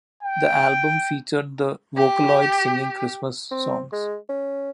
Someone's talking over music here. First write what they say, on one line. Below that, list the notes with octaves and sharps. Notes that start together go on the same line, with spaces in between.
The album featured the Vocaloid singing Christmas songs.
G5
G4
C4
G#3
C#4